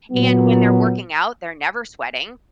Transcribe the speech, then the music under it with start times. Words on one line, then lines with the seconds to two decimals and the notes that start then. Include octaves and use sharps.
and when they're working out, they're never sweating.
0.11 A#2 F#3 B3